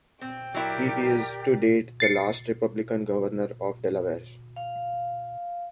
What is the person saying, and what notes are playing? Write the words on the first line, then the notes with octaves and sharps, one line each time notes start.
He is, to date, the last Republican governor of Delaware.
C4 G5
F#3 E4 G4 A#4 D5
A6 C7 C#7
F5